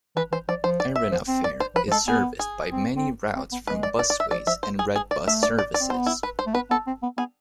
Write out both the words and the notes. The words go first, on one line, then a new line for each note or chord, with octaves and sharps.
Erina Fair is serviced by many routes from Busways and Red Bus Services.
E3 B4
E3 C5
F3 D5
F3 C5
D5
E5
F3
C4
D5
C5
F3 B4
F3
G#3 A4
B3 G#4
G#4
C4
C4
C4
B3
G#3 B4
D5
D5
D5
E5
F3 D5
F3 E5
C5
G#4
G#4
D5
A3 E5
D5
D5
D5
C4
B3 C5
E4
B4
C5
A3
B3 B4
B3 A4
C4
B3
B3 G#4